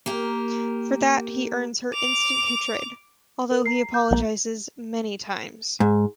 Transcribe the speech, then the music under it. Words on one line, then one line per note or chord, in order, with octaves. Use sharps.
For that, he earns her instant hatred, although he apologizes many times.
A#3 G4 A#4
D6 F7
A#4
A#5 C7
G6
A#1 E3 A#3
G#2